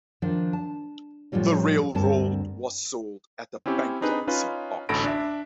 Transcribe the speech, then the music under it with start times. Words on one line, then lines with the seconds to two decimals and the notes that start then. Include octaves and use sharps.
The railroad was sold at a bankruptcy auction.
0.22 D#3 F3 D4 C5
0.53 A5
1.32 A2 C#3 F3 G3 D#4
1.95 D2 G2 C4 A#4 A5
3.66 C4 C#4 E4 G4 C#5
4.01 C4 D4 D#4 G#4 B4
4.27 C#4 D#4 F4 B4
4.89 A1 D2 A4 B5 A#6 D7
5.04 D4 E5